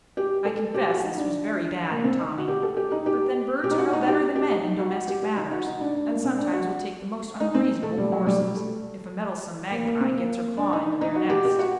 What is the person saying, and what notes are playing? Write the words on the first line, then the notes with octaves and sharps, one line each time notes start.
I confess this was very bad in Tommy; but then birds are no better than men in domestic matters, and sometimes will take the most unreasonable courses, if a meddlesome Magpie gets her claw into their nest.
G4
A4
G4
F#4
D#4
D4
A#3
C4
D#4
F#4
G4
A4
G4
D#4
G4
G4
D#4
F#4
D#4
G4
G4
D#4
F#4
G4
G4
D#4
F#4
D#4
D4
D4
A#3
C4
D4
F#4
D#4
C4
A3
G3
F#3
G3
G3
A3
A#3
A#3
C4
A#3
D4
D#4
D#4
F#4
G4
G4
F#4